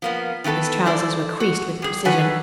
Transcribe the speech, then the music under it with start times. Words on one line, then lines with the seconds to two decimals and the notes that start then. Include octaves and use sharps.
His trousers were creased with precision.
0.02 F3 A#3 B3
0.44 D#3 E3 B3 A4 B4
0.85 E4 A4 C5 D5
1.40 F#4
1.82 G3 G#4
2.05 D3 D#3 A4 B4 F#5 G#5